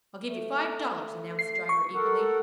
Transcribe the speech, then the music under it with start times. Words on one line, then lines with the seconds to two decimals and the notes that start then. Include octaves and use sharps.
"I'll give you five dollars," announced the driver eagerly.
0.25 A3
1.39 C7
1.69 C#6
1.94 A4 A#4 F#5